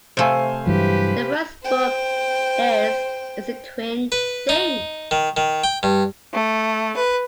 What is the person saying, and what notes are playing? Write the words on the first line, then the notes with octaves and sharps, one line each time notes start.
The first book is "It's a Twin Thing".
C3 A3 C5 F5 G#5
G2 E3 F#3 G4 B4
C5 G5
B4
D#4
D#3
D#3
G5
G2
A3
B4